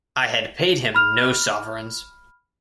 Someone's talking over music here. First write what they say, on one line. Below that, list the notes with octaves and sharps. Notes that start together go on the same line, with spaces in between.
I had paid him no sovereigns.
B5 F6 F7